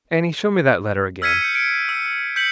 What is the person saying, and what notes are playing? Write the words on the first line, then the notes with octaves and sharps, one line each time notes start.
Annie, show me that letter again.'
E6 F6 G#6 B6 C#7 D#7
G6 C#7
C#7 D7
E6
G6 B6 C#7 F#7